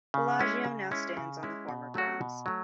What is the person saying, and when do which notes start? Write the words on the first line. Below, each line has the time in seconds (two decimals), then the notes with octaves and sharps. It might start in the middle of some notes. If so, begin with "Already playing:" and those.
Bellagio now stands on the former grounds.
0.14 C#3
0.39 G#3 C#4 E4
0.65 C#3
0.91 G#3 C#4 E4
1.17 C#3
1.43 G#3 C#4 E4
1.69 B2
1.94 F#3 A3 C#4 F#4
2.21 B2
2.46 F#3 A3